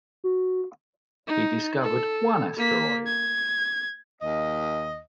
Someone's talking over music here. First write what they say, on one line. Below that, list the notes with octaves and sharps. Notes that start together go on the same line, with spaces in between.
He discovered one asteroid.
F#4
D#4
A4
A#3 B6
G#6
D#2 D#5